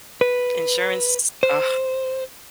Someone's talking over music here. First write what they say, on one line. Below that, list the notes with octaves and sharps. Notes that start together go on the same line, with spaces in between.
insurance, ugh.
B4
C5